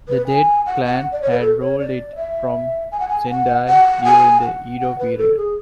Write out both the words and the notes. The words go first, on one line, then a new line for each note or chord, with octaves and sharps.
The Date clan had ruled it from Sendai during the Edo period.
B4
G#5
F#5
F#5
D5
C#5
B4
A4
C#5
D5
E5
G#5
F#5
G#5
F#5
F#5
G#5
F#5
F#5
B4
A4
G#4